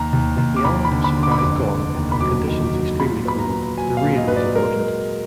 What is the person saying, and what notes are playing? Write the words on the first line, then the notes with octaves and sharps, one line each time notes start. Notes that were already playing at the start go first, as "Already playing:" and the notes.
With the element of surprise gone, and conditions extremely cold, the raid was aborted.
Already playing: D#2 A#5
D#2
D#2
D6
D#2 B5
B5
D3
B5
D3
D6
B5
F1 D6
F1
D#2
B5
F#3 D6
D#3
F#3
A#2 B5
B3 B5
A#5
F#3
F#3 G#5
F5
A#2
D#5
F#3 B4
D5
G#3 A#4